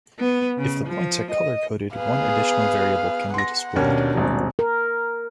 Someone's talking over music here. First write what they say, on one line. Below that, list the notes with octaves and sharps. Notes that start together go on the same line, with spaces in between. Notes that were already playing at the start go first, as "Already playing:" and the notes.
If the points are color-coded, one additional variable can be displayed.
B3
C#3
F3
D#5
B3 G#4 B4 F5
F#5 C6 A#6
D#2 B2 A#3 C#4 D4
D#1 G#1
A#4